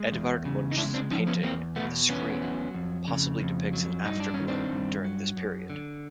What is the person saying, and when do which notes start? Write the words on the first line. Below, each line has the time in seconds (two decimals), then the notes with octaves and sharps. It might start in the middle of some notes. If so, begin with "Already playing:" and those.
Edvard Munch's painting "The Scream" possibly depicts an afterglow during this period.
Already playing: G#3
0.12 E2
0.45 C#3
0.71 D#4
0.77 G#3 D4 E4
0.94 C4 D4
1.11 F3 C#4 D#4
1.27 B3 C#4
1.43 E2 A#3 C4
1.76 B2 A3 B3
2.09 E2 B3 C#4
2.42 F#3
2.74 F2
3.08 C#3
3.40 F2
3.73 F#3
4.05 G2 D#4
4.20 D4
4.34 D#3 C#4
4.48 C4 D4
4.72 G2
5.04 F#3
5.37 F#2
5.70 D3